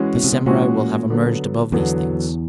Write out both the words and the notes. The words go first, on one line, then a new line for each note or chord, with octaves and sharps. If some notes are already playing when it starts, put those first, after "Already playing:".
The samurai will have emerged above these things.
Already playing: E3 G#3 C#4 F#4
B2
C3
B2
A#2 E3 G#3 C#4 F#4
D3 F#3 B3
E2 D3 F#3 B3